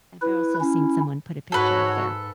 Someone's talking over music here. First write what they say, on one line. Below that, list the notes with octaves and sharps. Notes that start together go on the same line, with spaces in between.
I've also seen someone put a picture of their
E4 B4
C#4 E4
G#2 F#4 A4 B4 C#5